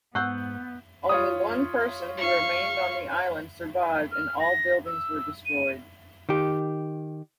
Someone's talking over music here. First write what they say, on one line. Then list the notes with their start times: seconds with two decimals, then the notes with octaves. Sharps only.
Only one person who remained on the island survived, and all buildings were destroyed.
0.15 G#2 B3 F#5 C#6 E6 F#6 G6
1.09 F4 C#5 D#6
2.17 F5 C#6
4.12 F6
4.40 A#6
4.86 E6
5.46 D#7
6.29 D#3 G4